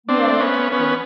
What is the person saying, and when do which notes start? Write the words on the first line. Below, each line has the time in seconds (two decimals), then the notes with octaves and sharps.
Yeah, that's true.
0.09 C4 D4
0.40 B3 C#4
0.72 B3 C#4